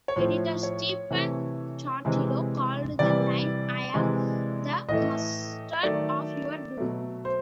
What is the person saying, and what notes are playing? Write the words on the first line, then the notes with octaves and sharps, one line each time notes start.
Editor Stephen Totilo called the line I am the mustard of your doom!
C#5
A2 F3 A3 C5
C#5
C3 E3 A3
C3 E3 G#3
C3 E3 G3 D5
C3 E3 G#3
A2 E3 A3 D#5
D#3 F#3 A3 D5
B2 F#3 A3
C5